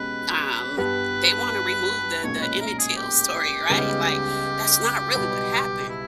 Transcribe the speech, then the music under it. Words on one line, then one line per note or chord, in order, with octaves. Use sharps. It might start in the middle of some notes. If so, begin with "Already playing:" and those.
um, they wanna remove the the Emmett Till story, right? Like, "That's not really what happened."
Already playing: B2 G#3 C#4 G4 B4
G2 G3 B3 G4 B4
B1 A#2 G#3 C#4 C#5
B4
A#4
G#4
G4
C#2 C#3 G3 B3 D#4
B1 B2 G3 B3
E4